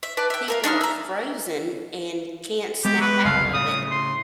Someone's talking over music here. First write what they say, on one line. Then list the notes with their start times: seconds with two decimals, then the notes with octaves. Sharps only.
people are frozen, and can't snap out of it,
0.03 E5
0.17 B4 D5 A5
0.30 E5 G5
0.48 A4 A#4 F5
0.64 D4 D#4 C6 F6
0.81 E5 A#5
2.85 G#3 B3 G4
3.01 B4
3.25 F#1 C2 C#3 F5
3.54 A2 C#3 D#6
3.91 C6